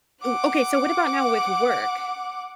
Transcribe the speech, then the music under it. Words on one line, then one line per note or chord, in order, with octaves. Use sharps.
ooh, okay, so what about now with work?
F#5 D6